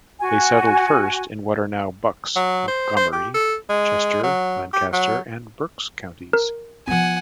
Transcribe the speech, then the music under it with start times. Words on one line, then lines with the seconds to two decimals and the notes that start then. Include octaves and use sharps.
They settled first in what are now Bucks, Montgomery, Chester, Lancaster, and Berks Counties.
0.19 F#4 G#5
2.36 F#3
2.68 C5
2.97 C5
3.13 G4
3.35 A4
3.69 G#3
4.23 F#3
4.73 G4
4.93 F#3
6.33 A#4
6.87 F3 B3 F#5 G#5